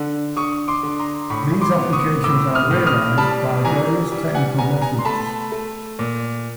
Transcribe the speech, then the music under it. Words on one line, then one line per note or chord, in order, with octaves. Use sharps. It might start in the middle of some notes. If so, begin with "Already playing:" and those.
These applications are realized by various technical methods.
Already playing: D3
D3 C#6 D#6
C6 D6
D3
A#5 C6
A2 B5 C#6
C6 D6
B3
C#6 D#6
A2 D6 E6
D#6 F6
A2
D#6 F6
G3 A5 B5
E3 G#5 A#5
G3
F#5 G#5
B3 G#5 A#5
G#5 A#5
C6
A3 A5 B5
A3
A#2